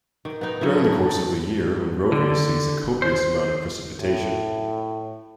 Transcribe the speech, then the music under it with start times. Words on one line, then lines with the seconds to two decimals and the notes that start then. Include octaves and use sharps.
During the course of the year Monrovia sees a copious amount of precipitation.
0.25 D#3
0.41 B3 D#4
0.61 D3 F#3 D#4 E4
0.75 A4
1.04 A5
2.12 D3
3.02 C5
4.00 A2